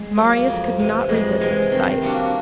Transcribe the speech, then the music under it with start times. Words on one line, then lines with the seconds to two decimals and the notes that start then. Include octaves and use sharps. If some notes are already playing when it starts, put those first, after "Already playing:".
Marius could not resist this sight.
Already playing: G#3
0.17 F#3 A#3
0.47 F2
0.79 C3 E3
1.09 F2 G#3
1.41 C3 E3 G#3
1.71 D#3 C4
2.02 G3 A#3 D4 F#4